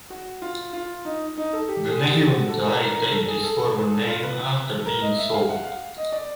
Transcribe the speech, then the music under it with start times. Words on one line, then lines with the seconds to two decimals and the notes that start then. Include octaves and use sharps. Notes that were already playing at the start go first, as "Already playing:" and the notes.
The "Nahunta" retained its former name after being sold.
0.10 F#4
0.42 F4
0.73 F4
1.05 D#4
1.38 D#4
1.53 A4
1.69 G4
1.90 G#4
2.11 G4
2.32 F#4
2.48 A4
2.64 A#4
2.80 A#4
2.95 A#4
3.11 A4
3.28 G#4
3.43 A4
3.59 A4
3.75 G#4
3.90 A4
4.07 F4
4.23 B4
4.79 A4
4.86 A#4
5.01 D#5
5.17 E5
5.33 F5
5.49 F#5
5.65 F5
5.97 D#5
6.12 D5